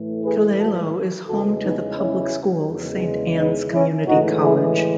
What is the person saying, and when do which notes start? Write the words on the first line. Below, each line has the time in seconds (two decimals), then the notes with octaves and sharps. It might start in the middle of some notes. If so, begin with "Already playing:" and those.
Killaloe is home to the public school Saint Anne's Community College.
Already playing: A2 E3 A3
0.23 G#4 B4
0.58 F#4 A4
1.28 E2 C#3 E3 G#3 F#4 A4
1.63 B3 D#4
1.98 C#4 E4
2.68 E2 C#3 G#3
3.38 B3 D#4
3.73 C#4 E4
4.07 A2 E3 G#3 D#4 F#4
4.42 E4 G#4